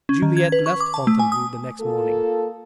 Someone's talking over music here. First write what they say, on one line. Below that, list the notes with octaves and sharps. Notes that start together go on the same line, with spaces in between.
Juliette left Fontainebleau the next morning.
C#4
D#3
G#6
B4
C#6
D6
A5
A3
G#5
D#6
A#3 F4 A4